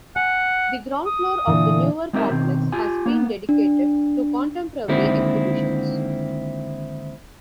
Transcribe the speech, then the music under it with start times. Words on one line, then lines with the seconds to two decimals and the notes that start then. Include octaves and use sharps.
The ground floor of the newer complex has been dedicated to contemporary exhibitions.
0.16 F#5 G#5
1.07 D#6
1.47 A#2 D3 E3
2.13 G#3 C4 D#4 G4 A#4 E5
2.30 B2 D#3 C4
2.72 F4 G4 G#5
3.06 A#3 B3
3.49 D4
4.88 D3 D#3 G#3 A#3 C4 E4